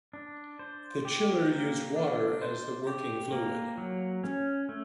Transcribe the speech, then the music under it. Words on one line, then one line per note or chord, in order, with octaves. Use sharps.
The chiller used water as the working fluid.
D4
C5
G4
A#3
D4
C5
G4
A#3
F#3
C#4
A3